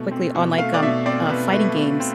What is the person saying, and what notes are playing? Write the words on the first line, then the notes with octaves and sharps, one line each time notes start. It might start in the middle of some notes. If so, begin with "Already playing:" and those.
quickly on like, um, uh, fighting games.
Already playing: B2 A3
C4
B2
A3 F5
D5
B2 E5
C4 D5
B2 B4
A3 B4
B2
C4